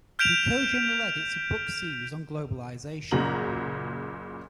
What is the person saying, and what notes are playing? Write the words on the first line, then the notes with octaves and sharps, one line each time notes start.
He co-general-edits a book series on globalization.
F6 G6 B6 D7 E7 F7
F#1 A#2 C#3 F#4 A#5 F#7